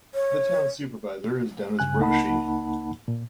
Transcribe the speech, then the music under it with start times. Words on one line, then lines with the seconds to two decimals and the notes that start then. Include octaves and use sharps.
The Town Supervisor is Dennis Brochey.
0.15 C#5
1.79 G2 C#3 G#5 F#6
1.99 C#2 A#3 D#4 F#5 A5 B5
3.08 A#2